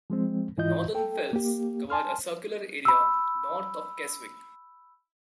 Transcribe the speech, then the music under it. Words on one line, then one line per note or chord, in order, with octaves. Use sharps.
The Northern Fells cover a circular area north of Keswick.
F3 G#3 C4
G#2 E3 E4 F4 D#5 G6
A4 G5
A#3 G4
G#5 A5 C6 F6
B5 E6